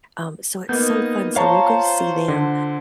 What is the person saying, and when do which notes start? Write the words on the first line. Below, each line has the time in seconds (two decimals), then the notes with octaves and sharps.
Um, so it's so fun, so we'll go see them,
0.69 A#3 B3 D#4 G6
1.36 F4 C5 C#5 F5 A5 A#5 C#6
2.28 D3